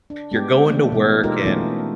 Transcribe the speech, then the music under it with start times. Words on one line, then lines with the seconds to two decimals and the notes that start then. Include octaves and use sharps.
you're going to work and,
0.10 D4
0.31 G#3 B3 G4
0.69 E3 A3 A#3 D4
0.92 B2 G#3
1.23 G#3 D#4 F4 G4 A4 A#4
1.45 E3 A3 B3 C#4 D#4 F4